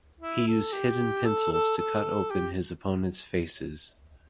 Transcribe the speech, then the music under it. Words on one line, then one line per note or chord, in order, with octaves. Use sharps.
He used hidden pencils to cut open his opponent's faces.
E4
A4
G4
A4
A4
A4
G4